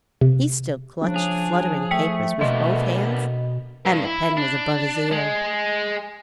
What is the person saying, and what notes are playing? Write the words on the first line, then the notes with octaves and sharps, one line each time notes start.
He still clutched fluttering papers with both hands and the pen was above his ear.
C3
C#3 F3 D4
G#4 F7
A3 G5 B6 C#7
B2 A#3 B3 D4 D#5
G2
E4
D4
G#3